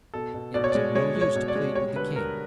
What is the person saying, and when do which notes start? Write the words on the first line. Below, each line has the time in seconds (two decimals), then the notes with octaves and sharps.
It was of no use to plead with the king.
0.14 B2 A4
0.34 B2
0.54 B2 D5
0.64 C#5
0.72 D5
0.75 G#3
0.95 G#3 C#5
1.16 G#3
1.21 C#5
1.36 B2
1.48 D5
1.56 G#3
1.75 G3 C#5
1.95 D3 B4
2.16 G3 A#4